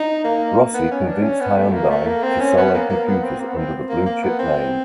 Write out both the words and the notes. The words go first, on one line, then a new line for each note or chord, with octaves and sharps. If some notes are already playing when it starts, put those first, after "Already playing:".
Rossi convinced Hyundai to sell their computers under the Blue Chip name.
Already playing: D#4
A#3
B3
C#4
D4
C#4
B3
A3
A#3
A3
A#3
C4
C#4
B3
A#3
A#3
B3
C4
A#3
B3
C4
A#3
A#3
B3
C4